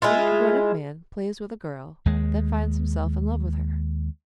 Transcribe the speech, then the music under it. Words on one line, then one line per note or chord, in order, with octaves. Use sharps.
Many a grown up man plays with a girl, then finds himself in love with her.
G#3 E4 F4
D#2 G#3